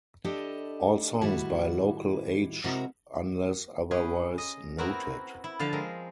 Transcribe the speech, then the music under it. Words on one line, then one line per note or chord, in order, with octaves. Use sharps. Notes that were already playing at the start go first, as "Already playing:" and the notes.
All songs by Local H unless otherwise noted.
D4 E4 G4 A4 D#5
A2 D#3 G3 E4 F#4
C3 G#3 E4 F#4 A#4 E5
C#4 G#4 B4 G5
D#5
B3 C4 E4 F#4 A#4
E4
D3 F3 F5 A5
G#3 C4 A#4